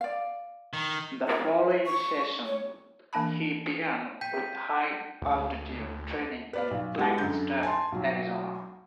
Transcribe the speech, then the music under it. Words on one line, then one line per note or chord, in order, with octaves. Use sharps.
The following season, he began with high altitude training in Flagstaff, Arizona.
D5 F5
D#3
A#4
C#6
C#5
E3 A#3 D4 G#5 A5 B5
G5 G6 B6 D#7
D2
B4 D5 F5
B1
G#3 B3 E4 F#4 G4
F#2 D3 G6
G#5 A5 C6
B1 F#3